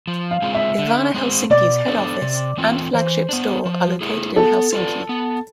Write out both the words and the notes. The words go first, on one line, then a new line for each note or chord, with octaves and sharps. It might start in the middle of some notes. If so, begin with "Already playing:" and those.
Ivana Helsinki's head office and flagship store are located in Helsinki.
F3
F5
G#3 C4 F4 G#4
E5
D3
G#3 C4 G#4 C5
B2 D5
B3 D4 A4 C5
C3
E3 A3 C4 F4
E3 C5
B3 D4
F3
A3 E4 G#4
B3 A4
F4 B4 D5
B3